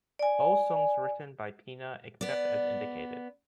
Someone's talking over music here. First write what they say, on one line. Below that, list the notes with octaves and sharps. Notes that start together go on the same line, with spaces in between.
All songs written by Pena except as indicated.
D5 G#5
B3 D5